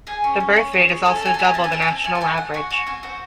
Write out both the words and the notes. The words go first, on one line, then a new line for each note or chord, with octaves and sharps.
The birth rate is also double the national average.
G#4 G#5
C#4
C#4
C#4
G#4
C#4
A4 G#5
A5
C4 G#5
A5
E4
G#5
C4 A5
G#5
C4 A5
G#5
C4
A3 G#5
A5
A3 G#5
C4 F#5
F#4 G#5
F#4 G#5
C4 G#5
F#4 C5